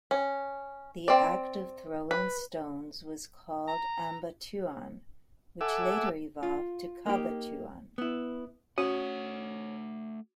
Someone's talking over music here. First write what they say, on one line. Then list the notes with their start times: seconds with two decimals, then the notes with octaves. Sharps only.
The act of throwing stones was called "ambatuan" which later evolved to "cabatuan".
0.11 C#4
1.08 C4 D5
2.11 B4
3.68 A#5
5.61 A4 E5 F#5 G#5 D6 E6
6.43 F4
7.06 A#3 D#4 G4
7.98 B3 E4
8.78 A3 C#4 F#4 F#5